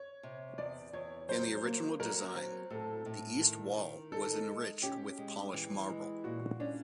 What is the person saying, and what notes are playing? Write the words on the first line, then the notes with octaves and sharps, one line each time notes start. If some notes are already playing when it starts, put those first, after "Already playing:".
In the original design, the east wall was enriched with polished marble.
Already playing: C#5
C3
E2 D5
E2 C#5
F#3 C5
A#3
F#3 A#4
C4
A2 A4
A2
D#3
D#3
D#4 A4
G#3
C#4 G4
G#3
E3
G#3
A#2 F#4
C#4 D4